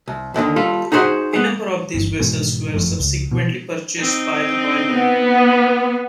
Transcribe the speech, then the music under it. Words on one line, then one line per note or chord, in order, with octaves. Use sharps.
A number of these vessels were subsequently purchased by the Royal Navy.
C2
D#2 A2 D3 D#3
G3 F4 A4
D#4 F#4 G#4 C5 E5 F#5
B3 G#4
G1 E2
E2 G#2 B2
G1 F#2 F3 A3
C#2
B2 E3
C4 D#4
B3